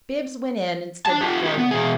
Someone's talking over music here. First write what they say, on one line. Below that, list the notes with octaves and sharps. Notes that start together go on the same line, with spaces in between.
Bibbs went in and stood before him.
D4 A5
F4 G4
E4 G4
B3
B2 G#4